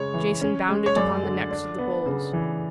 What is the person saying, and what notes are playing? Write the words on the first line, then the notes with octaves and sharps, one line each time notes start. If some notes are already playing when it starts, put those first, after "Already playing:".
Jason bound it upon the necks of the bulls.
Already playing: C#3 G#3 C#5
E3
C#4
G#3
C#5
F#2 D5
D3
D4
B3
C#3
E3